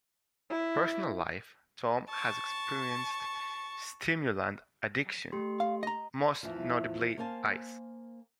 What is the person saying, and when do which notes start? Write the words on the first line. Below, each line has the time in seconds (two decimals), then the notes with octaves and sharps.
Personal Life: Tom has experienced stimulant addiction, most notably 'Ice'.
0.50 E4
2.09 A5 C#6
5.32 A3 G4 C6
5.60 F5
5.83 D#5 A#5
6.43 E2 B2 E3 F3
7.18 A#3 C5 F5 G#5 A5